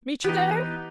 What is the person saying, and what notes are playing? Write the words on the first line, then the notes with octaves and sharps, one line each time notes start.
Meet you there?
E3 B3 D#4 G4